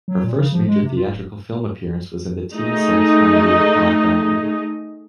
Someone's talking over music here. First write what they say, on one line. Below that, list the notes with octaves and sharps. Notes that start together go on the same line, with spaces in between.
Her first major theatrical film appearance was in the teen sex comedy Hot Dog...
F#3
A#2
C#3
F3
G#3
C3
F4
D1
A3 D#4 G#4 D#5